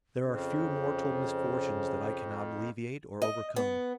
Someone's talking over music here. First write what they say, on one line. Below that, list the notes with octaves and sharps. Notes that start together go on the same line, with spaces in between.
There are few mortal misfortunes that I cannot alleviate or overcome.
F2 C#3 C5
D#5
B3